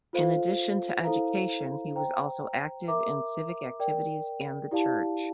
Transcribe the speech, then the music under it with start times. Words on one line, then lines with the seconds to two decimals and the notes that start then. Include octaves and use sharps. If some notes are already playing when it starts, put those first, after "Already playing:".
In addition to education, he was also active in civic activities and the church.
0.13 F4 A4 C5 F5
1.04 E4 A4 C5 F5 A#5
1.95 C5 G5 A#5
2.88 A#4 E5 A#5 D6
3.80 A#4 D5 G5
4.71 E4 G4 D5 F5 A5